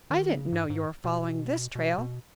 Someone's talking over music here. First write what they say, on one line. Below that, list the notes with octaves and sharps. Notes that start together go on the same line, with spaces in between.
I didn't know you were following this trail.
D#3
C#3
G#2
G#2
B2
B2
B2